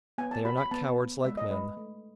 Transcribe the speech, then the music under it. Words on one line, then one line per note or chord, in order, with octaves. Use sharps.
They are not cowards, like men.
B3 G#5
A5
F#4 B5
B5
B3 A5
B3
G#3 E5
D#5
G#3 B4
A3